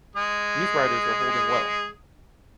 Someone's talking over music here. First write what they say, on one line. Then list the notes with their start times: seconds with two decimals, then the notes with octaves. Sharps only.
These riders are holding well.
0.16 G#3 G#4